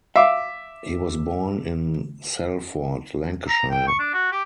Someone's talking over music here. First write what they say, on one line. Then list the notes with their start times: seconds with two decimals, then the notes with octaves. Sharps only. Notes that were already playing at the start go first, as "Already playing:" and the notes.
He was born in Salford, Lancashire.
0.16 E5 F5 D6
3.49 A#5
3.70 G5
3.88 C#6
3.99 D4
4.13 F#4
4.32 G4